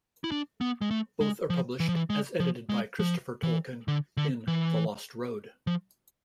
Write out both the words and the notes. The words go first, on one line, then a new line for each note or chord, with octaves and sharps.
Both are published, as edited by Christopher Tolkien, in "The Lost Road".
E4
D4
B3
G#3
A3
G#3
F3
E3
F3
E3
G#3
F3
G#3
F3
E3
D3
D3
E3
F3